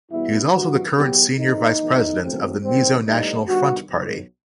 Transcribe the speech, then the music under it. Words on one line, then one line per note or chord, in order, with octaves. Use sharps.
He is also the current Senior Vice President of the Mizo National Front party.
E2 B2 G3 B3 E4
A1 G2 E3 G3 F#4
E2 B2 F#3 B3 G4
A2 E3 A3 C4 D#4
B1 A2 E3 B3
E2 D#3 F#3 A3 C4
D#2 D#3 G3 C4
A2 G3 B3 D#4
G2 D#3 G3 B3 F#4
B1 B2 F#3